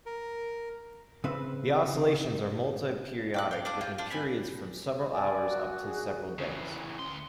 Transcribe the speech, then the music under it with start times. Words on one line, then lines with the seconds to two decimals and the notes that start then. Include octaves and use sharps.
The oscillations are multi-periodic with periods from several hours up to several days.
0.06 A#4
1.24 C#3 C4 B4 E5
3.34 G5 D6 F#6
3.51 F5 G5
3.65 D4 F4 D6
3.81 A#3 F4 G6
3.98 D4 F4
4.10 C4 G#5 B5
5.13 D5 G#5
5.49 F#4
5.86 G#4
6.39 C#3 E3
6.99 D2 C6